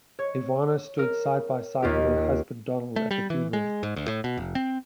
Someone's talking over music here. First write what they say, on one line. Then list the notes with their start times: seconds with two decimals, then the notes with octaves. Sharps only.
Ivana stood side-by-side with her husband Donald at the funeral.
0.19 C#5
0.99 A#4
1.82 D#2 F4 G4
2.96 A3
3.11 G3
3.30 E3
3.53 G#3
3.83 G#2
3.96 D2
4.08 A2
4.24 B2
4.37 F1
4.55 C4